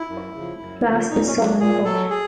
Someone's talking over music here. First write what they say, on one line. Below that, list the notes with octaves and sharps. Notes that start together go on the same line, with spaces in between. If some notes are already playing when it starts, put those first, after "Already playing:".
Last is Sullivan Gulch.
Already playing: E4
F#2
C#3 F3
F#2
C#3 F3
A#2 D#4
C#4
F#3
D4
A#2 G#4
F#3 A4
G#4